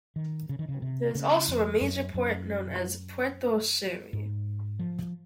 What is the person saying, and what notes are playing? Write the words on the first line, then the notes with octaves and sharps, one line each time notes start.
There is also a major port, known as Puerto Sherry.
D#3
C#3
D#3
C#3
C3
C#3
F2
F#2
F#2
G#2
F3